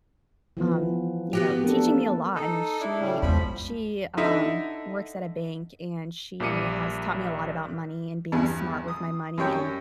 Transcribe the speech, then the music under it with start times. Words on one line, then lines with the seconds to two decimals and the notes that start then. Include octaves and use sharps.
um, you know, teaching me a lot, I mean, she she, um, works at a bank, and she has taught me a lot about money and being smart with my money, and
0.57 E3 F3 B3
1.33 B3 F#4 G4
1.64 A#3 D4 A4
2.35 D#4 A4
2.80 D4 E4
3.00 A2 C#3 G3
3.22 E2 F3 G#3 B5
4.17 D3 D#4 E4
6.40 A#1 G3 A#3 D6 C#7 D#7
8.32 E2 G2
8.88 D#6
9.38 F#2 G3 C#5 G5